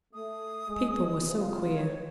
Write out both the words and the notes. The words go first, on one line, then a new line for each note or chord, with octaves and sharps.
People were so queer.
A3 D#6
G#3
C3 F4
C#5